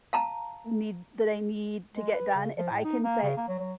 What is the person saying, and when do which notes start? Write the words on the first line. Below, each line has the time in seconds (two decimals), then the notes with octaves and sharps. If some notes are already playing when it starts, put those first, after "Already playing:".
need that I need to get done, if I can set
0.13 F5 A5 A#5
1.94 G#3
2.13 B4
2.35 C#3
2.58 F3
2.71 A2
2.84 D#4
3.03 A#3
3.23 C#3
3.37 A#3
3.48 F#3
3.59 F#3